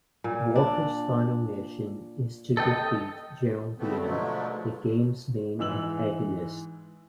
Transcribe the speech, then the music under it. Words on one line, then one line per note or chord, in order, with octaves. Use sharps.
Walkers's final mission is to defeat General Diem, the game's main antagonist.
A#2
D4
A4 D#5 G5
D3 F3 G3 A3 B3 C4
G#2 B2 D3 F3 F#3 A3
G#2 E3 E6 F#7